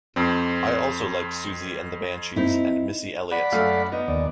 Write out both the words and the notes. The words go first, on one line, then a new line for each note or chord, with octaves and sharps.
I also like Siouxsie and The Banshees and Missy Elliott.
F2 C4
C4 D#4 E4
D5 F#5 B5
F#2 A3 F5
B3 D#4
D#2 D5